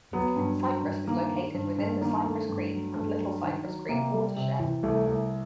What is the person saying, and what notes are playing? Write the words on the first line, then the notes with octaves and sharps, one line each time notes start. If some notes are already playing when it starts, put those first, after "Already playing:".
Cypress is located within the Cypress Creek and Little Cypress Creek watershed.
F#3 B3
G2
F#3
G2
D#3 A#3
D#3
G2
G2
D#3 A#3
A3
G2
F#3
G2 A3
F#3
D#3
F#3
C3 A#3
G3
C3
E3
C2 A3
C2